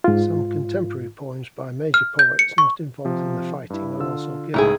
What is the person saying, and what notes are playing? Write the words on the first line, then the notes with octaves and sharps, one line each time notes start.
Some contemporary poems by major poets not involved in the fighting are also given.
G#2 F4
F6
G6
C#7
C#6
C3 F3
G2 E4
D3 F4 E6
C#2 A2 D#4 E4 G#4